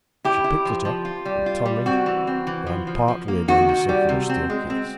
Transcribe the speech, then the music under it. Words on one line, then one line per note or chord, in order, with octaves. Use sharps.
She picked it up and turning, ran part way down the circular staircase.
E4 G4
E4
F3
F3
F4
G3
F4
G3
C4 F#4
E3
C4
E3
F3
F3
F3
A#3
D#3 F#4
D#3
G3
C3
C4
G#3
C4